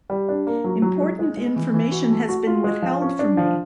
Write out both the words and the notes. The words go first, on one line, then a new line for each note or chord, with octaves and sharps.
Important information has been withheld from me.
G3
D4
A#3
F#3
F#3
G#3
G#3
G#3
E3
E3
F#4
A3
F#4
F4
G#3
F3
C#4
D4
F3